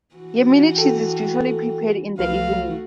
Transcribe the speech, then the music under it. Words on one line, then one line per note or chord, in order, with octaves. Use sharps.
Yemeni cheese is usually prepared in the evening.
E3 F#4
A4 G5
C2 F3 A3 F#4 B4 F5